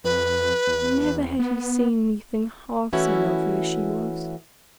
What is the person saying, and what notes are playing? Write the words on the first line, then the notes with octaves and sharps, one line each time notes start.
Never had he seen anything half so lovely as she was!
F2 B4
E2
B3
E3 A3 C#4 E4 F#4